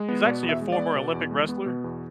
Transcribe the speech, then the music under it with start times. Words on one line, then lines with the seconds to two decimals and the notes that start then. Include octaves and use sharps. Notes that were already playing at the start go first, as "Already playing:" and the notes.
he's actually a former Olympic wrestler.
Already playing: G#3
0.08 B3
0.25 B2 D5
0.43 E2
0.49 E5
0.61 G#3
0.72 D5
0.78 B3
0.96 B2
1.14 E2
1.31 G#3
1.48 B3
1.66 B2
1.84 E2